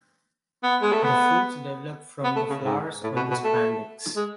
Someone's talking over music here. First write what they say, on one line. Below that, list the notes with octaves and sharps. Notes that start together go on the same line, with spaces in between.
The fruits develop from the flowers on the spadix.
B3
G#3
A3
B3
B3
A3
C#3
G#2
A2
B2
B2
A3
G#3